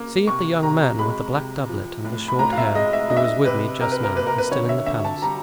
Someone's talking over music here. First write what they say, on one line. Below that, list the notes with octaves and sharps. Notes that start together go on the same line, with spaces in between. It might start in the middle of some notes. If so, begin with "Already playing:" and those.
"See if the young man with the black doublet and the short hair, who was with me just now, is still in the palace."
Already playing: C#3 A#3
C3 C#6
C3 A#5
G#3 B5
C3
F3
A2
B5
A2 A#5
F5
E5
G#3 D#5
E5
D4 D#5
E5
D#5
C3 B4
C3 A#4
B4
A#4
A#3 B4
A#4
B4
D3 C#5
E5
D3 E5
A5
G3 A#5